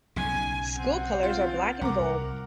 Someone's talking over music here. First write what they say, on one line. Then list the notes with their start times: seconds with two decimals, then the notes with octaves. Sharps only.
School colors are black and gold.
0.16 B1 C#3 G#5
0.76 C4 F#5
1.23 F4
1.81 C2 A#4 F#5 A#5 D6